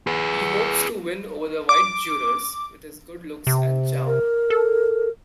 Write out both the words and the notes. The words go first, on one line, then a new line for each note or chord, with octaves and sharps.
He hopes to win over the white jurors with his good looks and charm.
G#4 B4
D6
C3
A#4
A4